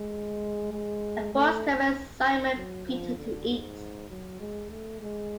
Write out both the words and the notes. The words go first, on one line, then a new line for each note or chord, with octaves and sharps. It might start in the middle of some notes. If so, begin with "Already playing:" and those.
A voice commands Simon Peter to eat.
Already playing: G#3
G#3
A3
F#3
F3
D3
G#2
F#3
G#3
A3
G#3